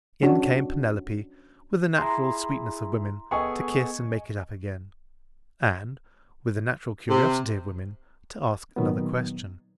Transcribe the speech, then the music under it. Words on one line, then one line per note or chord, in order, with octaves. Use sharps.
In came Penelope--with the natural sweetness of women--to kiss and make it up again; and--with the natural curiosity of women--to ask another question.
C#4 D4 F#4
E4 G#4 A#5 C6
B3 G#4 A4 D#5 G#5 C#6
C3
A#2 D#3 F#3 B3